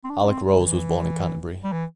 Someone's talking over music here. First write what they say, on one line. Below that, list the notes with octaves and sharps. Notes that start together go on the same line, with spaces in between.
Alec Rose was born in Canterbury.
C4
D4
D4
C4
G3
D3
E3
G3
E3